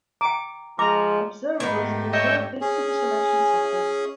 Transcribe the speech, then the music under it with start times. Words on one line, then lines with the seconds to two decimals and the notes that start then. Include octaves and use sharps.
Observables preserve the superselection sectors.
0.21 G5 A#5 D6
0.79 F3 G#3 A#5 D6
1.60 G#2 D#3 A3 B3 G4
2.13 C#5 D#5 E5 G5
2.61 C#4 G#4